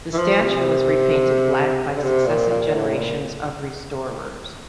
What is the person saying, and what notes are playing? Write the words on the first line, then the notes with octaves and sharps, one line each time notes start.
The statue was repainted black by successive generations of restorers.
E3
F3
C3
D3
C3
A#2
A#2
A#2
A2
A#2